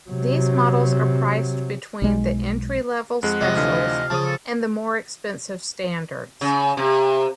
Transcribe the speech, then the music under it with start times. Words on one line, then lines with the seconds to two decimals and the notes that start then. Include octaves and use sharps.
These models are priced between the entry-level Specials and the more expensive Standards.
0.10 C3 F#3
2.02 B1 G#3
3.23 F2 G#3 F#5
3.41 C3 F3 D#5
3.56 D2 D3 E3 F5
4.10 C#3 F3 A5 D#6
4.24 A4
6.41 C#3
6.77 C3